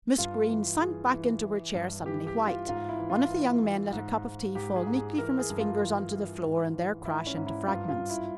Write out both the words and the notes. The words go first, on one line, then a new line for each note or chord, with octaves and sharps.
Miss Greene sank back into her chair, suddenly white. One of the young men let a cup of tea fall neatly from his fingers on to the floor and there crash into fragments.
G2 F4
E3
E3 G#4
E3
E3
G2
E3 G4
G4
E3
F4
G#2 F4
E4
E3
F4
E3
E3
G#2
G#2
G#2 G4
G#4
G#2
G#4
E3 A#4
G#4
G2
F4
E3
E3
G#2
E3
G#2 E4
C#4
G#2
E4
G2 F4
F4
G2
E4